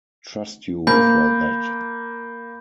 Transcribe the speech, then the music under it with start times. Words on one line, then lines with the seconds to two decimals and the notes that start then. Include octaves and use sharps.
Trust you for that!
0.87 A#3 B5 G6